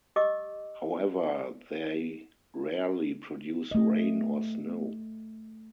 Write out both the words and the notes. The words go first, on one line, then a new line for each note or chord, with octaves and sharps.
However, they rarely produce rain or snow.
G4 D#5 D6 E6
A3 D#5